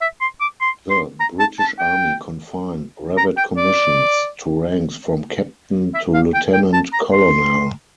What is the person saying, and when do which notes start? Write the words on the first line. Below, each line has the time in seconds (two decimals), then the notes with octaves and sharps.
The British Army confined brevet commissions to ranks from captain to lieutenant-colonel.
0.01 E5
0.21 C6
0.41 D6
0.61 C6
0.90 C6
1.20 A#5
1.39 A5
1.59 A5
1.79 G5
3.18 A#5
3.37 G5
3.57 D5
5.94 E5
6.14 F5
6.34 G5
6.53 G5
6.73 A5
6.93 A#5
7.13 C6